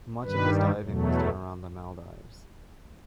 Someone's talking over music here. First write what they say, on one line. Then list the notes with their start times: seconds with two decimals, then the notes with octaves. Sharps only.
Much of his diving was done around the Maldives.
0.24 G2 D#3 G3 B4
0.83 E2 B2 F#3 A3
1.12 B4